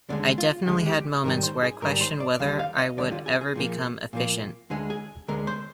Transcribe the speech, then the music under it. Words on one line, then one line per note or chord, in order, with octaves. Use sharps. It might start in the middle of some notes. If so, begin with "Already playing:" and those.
I definitely had moments where I questioned whether I would ever become efficient.
D#2 D3 G#3 D4
F4
D#2 D3 G#3 G4
G4
G#2 D#3 G3 A#4
C5
G#4
G#2 D#3 G3 A#4
C5
D5
D#2 D3 G3 F5
F5
D#5
D#2 D3 G3 D5
F4
G#4
G#4
A#2 F3 A#3
A#2 F3 A#3
D2 D3 G#3 G#4
G#4
D2 D3 G#3 A#4
C5